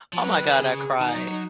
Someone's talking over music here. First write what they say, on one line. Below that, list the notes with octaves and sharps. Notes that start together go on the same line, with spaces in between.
oh my god, I cried.
F3
F#3 B4
D#3
D#3
C#3 G#4
D#3 D#4
F#3
F#3